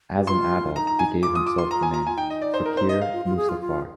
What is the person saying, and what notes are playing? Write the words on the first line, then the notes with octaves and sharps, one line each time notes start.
As an adult he gave himself the name "Fakir Musafar".
G4
F4 C6
D#4 A#5
A#5
G#5
F4 D6
D#6
D6
C6
A#5
G#5
A#5
F4 G#5
D#4 G5
D#5
D5
C5
A#4
C5
D#5
F5
F4
F4
G#4
F4
F4